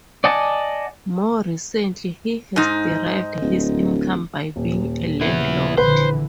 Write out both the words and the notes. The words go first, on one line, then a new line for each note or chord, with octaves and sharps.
More recently, he has derived his income by being a landlord.
D5 D#5 F#5 G#5 A5
G#2 D#4
D1
D#1
C#3 B3 E4
A#1 D3 E3 B4 C5